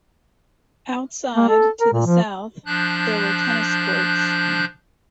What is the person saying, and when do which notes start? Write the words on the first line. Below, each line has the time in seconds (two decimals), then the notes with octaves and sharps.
Outside, to the south, there were tennis courts.
1.36 A#3
1.49 A4
1.80 A#4
1.92 A#2
2.06 F3
2.66 F3 D4 F#6 G6